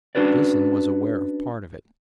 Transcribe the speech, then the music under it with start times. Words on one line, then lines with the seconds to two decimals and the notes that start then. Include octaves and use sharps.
Jason was aware of part of it.
0.15 C#4 D4 F#4 B4 D5